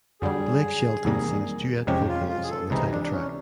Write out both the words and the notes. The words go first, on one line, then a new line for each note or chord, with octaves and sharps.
Blake Shelton sings duet vocals on the title track.
F#2 D3 G3 G#4
E2 C3 D#3 G3 A#3
F2 C3 F3 G#3 C#4 G4
F4
F4
G#4
A4
C#2 C3 E3 D#4
D4
D4
C#4